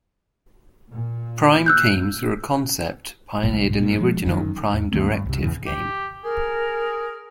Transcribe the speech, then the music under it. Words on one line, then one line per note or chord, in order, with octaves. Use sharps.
Prime Teams were a concept pioneered in the original "Prime Directive" game.
A#2
E6 F#6 G6
F#1 B1 G#2
G2 A#2
F3 G#3
F#1 F#2 A2 D#3
E2
D2 D#3 A3 C4
G2
C2 C3
E2 G#2 C#3 E3
G4
G#4 A#4